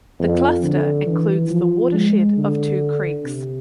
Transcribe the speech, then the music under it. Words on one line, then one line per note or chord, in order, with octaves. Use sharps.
The cluster includes the watershed of two creeks.
F2
D3
E3
F3
G#3
D3
C3